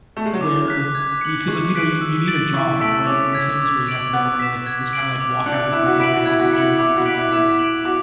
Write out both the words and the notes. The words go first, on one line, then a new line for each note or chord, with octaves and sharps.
where you 'cause, like, you know, you you need a job, right, in The Sims where you have to go and, like, you, just, kinda, like, walk out your front door, you disappear and then you come back later.
A3
G#3
F#3
E3 D6
F#6 B6
G#6
C#7 F#7
G#3 C#6
F#6 B6 D7 F#7
E6
A6 D7 F#7
E4 C#6
A3 E6 B6 D7 F#7
C#4 D6
G#6 B6
D6
G#6 D7 F#7
B3 F#6
B6 E7
G#6
D7 F#7
D6
D4 F#6 C#7 F#7
E4 F#6
F#4
E4 B6 D7 F#7
F#4
E4 G#6
F#4
E4 C#7 F#7
E4 D6
F#4
F#6 B6 D7 F#7
E4
E4 G#6
D7 F#7
F#4 D6